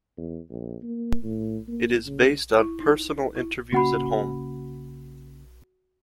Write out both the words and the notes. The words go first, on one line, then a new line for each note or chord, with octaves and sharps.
It is based on personal interviews at home.
E2
A#1
A#3
A2
A#3
C#3
E4
D#4
E4
C#3 A#3 C#4 F#4 F#5 B5